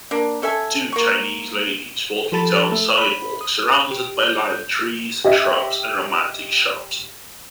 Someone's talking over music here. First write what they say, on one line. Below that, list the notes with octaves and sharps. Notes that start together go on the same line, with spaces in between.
Two chinese ladies walking down sidewalk surrounded by live trees, shrubs, and romantic shops.
A#3 D4
C#4 A4 E5 G#5
A#3 C#6
F3 G4 A4 B5 A6
A3
C5 B5
D#6
G4
G6
G4 D#5 E5